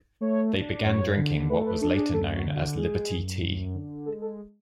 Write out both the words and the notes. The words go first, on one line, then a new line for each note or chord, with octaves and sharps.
They began drinking what was later known as liberty tea.
A3 C#5
D4
F#2 C#5
D3
A3 B4
B4
D4 A4
G#4
F#2 A4
F#4
D3
F#4
G#3 G#4
F#2
F#2
D3
G#3 A4
A4